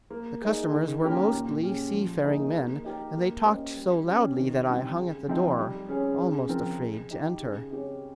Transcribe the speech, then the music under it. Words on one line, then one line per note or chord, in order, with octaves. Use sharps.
The customers were mostly seafaring men, and they talked so loudly that I hung at the door, almost afraid to enter.
A#3
D#4 G#4
D#3
A#3 C#4 G4 A#4
A#2
G#3 C#4 G4
F3
A#3 D#4 G#4
A#3
D#4 G4 A#4
A#3
C#4 G4 C5 D#5
G3
C#4 G4
D#3
G3 C4
C#3
F3 C4 D#4
G3
C#4 G#4 C#5
C#3
F3 C4 F4 A#4
G#3
D#4 G4
C#3
G#3 C4 G4 C#5